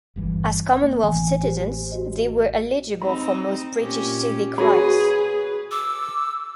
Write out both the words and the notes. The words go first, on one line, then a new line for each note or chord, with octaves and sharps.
As Commonwealth citizens, they were eligible for most British civic rights.
G1 G2 E3
A#3
A1 E3 G#5
G4 C5
F#4 G4 D#5
C4 D#4 B5
A#2 C#4 G4
F#4 G#4 B4 C#5 B5
D6 E6